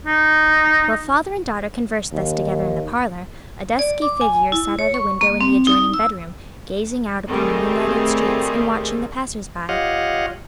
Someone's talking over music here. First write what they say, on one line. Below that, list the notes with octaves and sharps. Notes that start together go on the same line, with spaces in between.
While father and daughter conversed thus together in the parlor, a dusky figure sat at a window in the adjoining bedroom, gazing out upon the moonlighted streets and watching the passers-by.
D#4
D#2
D5
D6
G#5
E4
C#5
C#6
A#3
C4
D#4
E6
D#3 G3 A3 C4 G#4
F4 G4 C#5 D#5 F5 F#5